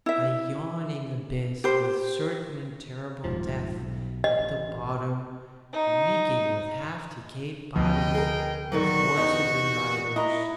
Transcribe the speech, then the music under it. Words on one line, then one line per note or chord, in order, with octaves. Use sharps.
A yawning abyss, with certain and terrible death at the bottom, reeking with half-decayed bodies of horses and riders!
E4 E5
G4 C5
D#1 G#2 F3
B1
D#5
A1
D#4
D2 B2 F3 D#5 G5
G#4 A#4
D3 D#3 F#3 F#4 C#6
E2 D#4 G4
E4 D#5 A#5